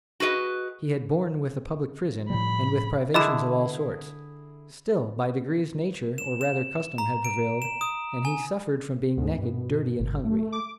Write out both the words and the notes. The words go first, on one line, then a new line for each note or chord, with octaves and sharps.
He had borne with the public prison, and with privations of all sorts; still, by degrees nature, or rather custom, had prevailed, and he suffered from being naked, dirty, and hungry.
F#4 G#4 B4 D#5
A2 F3 G3 B5
D3 E4 G#4 D#5 B5 E7
E7
E7
A#5
D7
E7
D#6
G#5
D2 G#2
G2 B2
G1
A3
D6